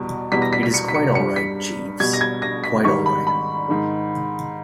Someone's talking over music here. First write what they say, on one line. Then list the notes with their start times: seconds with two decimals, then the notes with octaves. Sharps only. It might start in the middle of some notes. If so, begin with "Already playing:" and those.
It is quite all right, Jeeves, quite all right.
Already playing: E2 B2 G3
0.32 E2 B2 G3 B6
0.42 A#6
0.53 B6
0.63 B6
0.74 C#7
0.88 B6
0.94 C#7
1.15 G2 G3 C#7
1.36 B6
2.00 B2 G3 G#6
2.13 A#6
2.21 G#6
2.42 A#6
2.64 B6
2.85 G#2 D#3 G3 C#6
3.06 B5
3.27 B5
3.68 G#2 D#3 G#3